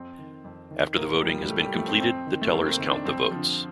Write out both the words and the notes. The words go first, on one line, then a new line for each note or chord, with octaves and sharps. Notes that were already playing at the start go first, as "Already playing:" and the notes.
After the voting has been completed the tellers count the votes.
Already playing: F2 C4
D#3
F2
D#3
A2 A#3
F3 G3
G3
A2 A3
G3
F3 A3
C4
F2 C4
D#3
A3
F2 A#3
C4
D#3
D4
F2 C4
D3 F3